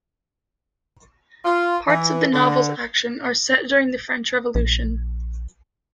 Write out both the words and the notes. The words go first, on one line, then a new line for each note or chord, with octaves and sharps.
Parts of the novel's action are set during the French Revolution.
F4
E3
D3
A#1